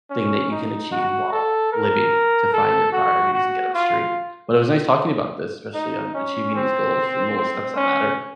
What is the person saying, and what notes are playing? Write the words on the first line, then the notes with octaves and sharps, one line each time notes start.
thing that you can achieve while living to find your priorities and get 'em straight. But it was nice talking about this, especially on achieving these goals and little steps that matter.
C#4
D#4
F#4
A4
A#4
A4
F#4
F#4
F4
D#4
C#4
C4
C4
C#4